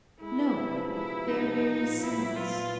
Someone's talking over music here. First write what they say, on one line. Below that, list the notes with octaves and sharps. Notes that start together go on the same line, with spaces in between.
No, they are merely symbols.
G#3 E4
B3
C3
F3
G#3 E4
B3
C3 D#4
F3
B3
A#2
A#2 E4
F#3
B3 F4
A#2